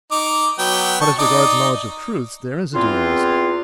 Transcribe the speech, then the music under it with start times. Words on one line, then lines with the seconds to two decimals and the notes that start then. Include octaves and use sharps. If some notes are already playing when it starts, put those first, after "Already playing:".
But as regards knowledge of truths, there is a dualism.
0.11 D#4 D6
0.59 F#3 B3 G5
1.01 A5 C#6
1.19 D#4 D5 D#5
2.74 E2 C4 F4